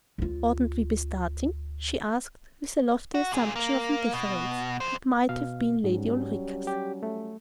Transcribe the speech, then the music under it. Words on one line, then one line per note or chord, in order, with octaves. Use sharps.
"Oughtn't we be starting?" she asked, with a lofty assumption of indifference that might have been Lady Ulrica's.
D2 F4
F#4
A#2 G#4
A#3
B2
F2 C5
B2 F5
G#2 F#3 G3 C#4
G4
A3